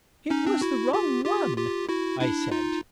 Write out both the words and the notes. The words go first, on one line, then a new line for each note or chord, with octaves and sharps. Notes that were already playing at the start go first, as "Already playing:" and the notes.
"It was the wrong one," I said....
C#4 D#4
C4 D4
E4 F#4
F4 G4
F4 G4
F4 G4
E4 F#4
D4 E4
D#4 F4